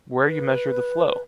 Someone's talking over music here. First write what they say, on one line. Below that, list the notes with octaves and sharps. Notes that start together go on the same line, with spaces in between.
Where you measure the flow.
B4